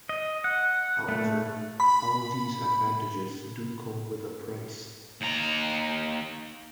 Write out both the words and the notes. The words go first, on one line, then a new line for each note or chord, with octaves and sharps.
However, all these advantages do come with a price.
D#5
F#5
A3
B5
D#2 A#5